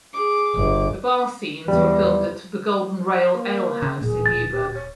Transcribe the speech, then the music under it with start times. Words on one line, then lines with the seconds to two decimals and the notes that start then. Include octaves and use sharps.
The bar scenes were filmed at The Golden Rail Ale House in Newburgh.
0.13 G#4 D6
0.55 G1
1.68 E2 G3
3.34 A#3
3.82 C#3
4.01 D1 A#2 G#4
4.26 A6
4.51 G4
4.74 C#5